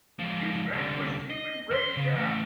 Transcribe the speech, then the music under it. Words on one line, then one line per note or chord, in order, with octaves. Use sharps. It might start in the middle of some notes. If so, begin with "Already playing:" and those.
His ban was Stephen Prasca.
F3 G#3
C2 D3
D#5
E2 C6
C#3
E3 A3